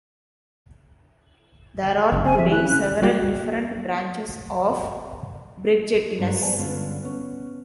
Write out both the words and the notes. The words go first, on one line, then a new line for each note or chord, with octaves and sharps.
There are today several different branches of Bridgettines.
F#1
C4 G#5
F2 E5
E3 F#6
C#3
G3 G#3 A#3 F#4 D5 G5
G2 F#3 D4
E2 C5 D5 G#5 A5
G2 D3 G#3 B3 C#4 F4
B3 C#4